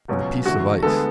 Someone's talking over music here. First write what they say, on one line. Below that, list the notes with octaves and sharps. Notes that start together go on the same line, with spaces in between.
"With a piece of ice."
C#2 B2 F#3 C#4
E2 D3 A3 F#4
D2 D3 G#3 B3 A4